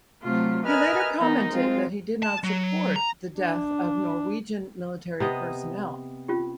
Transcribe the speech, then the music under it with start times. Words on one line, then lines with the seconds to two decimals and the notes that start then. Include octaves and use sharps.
He later commented that he did not support the death of Norwegian military personnel.
0.22 C3 F#3 A3 F4
0.66 A#4 B4 D#5 E5 G#5 F6
1.18 E3 B3 D#4 A#4
1.50 G#3 C4 F4
2.23 A5
2.44 F#3
2.96 A#5
3.39 D4
5.20 C3 B3 D#5
6.28 C#4 F4 G4